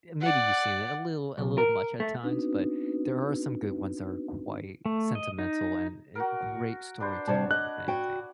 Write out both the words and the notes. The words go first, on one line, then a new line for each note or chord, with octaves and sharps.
uh, maybe you've seen it a little a little much at times, but there are some good ones that are quite sentimental and uh, great storytelling, if anything.
D5 F#5
B1
A#4
A3
B3 C4 D4 D#4 F#4 B4
A3
D#5
D#4
F#4 A#4
D4 B4 C5
C3 G3 D4 C#5 A5
D#5 F#6
F#4 G5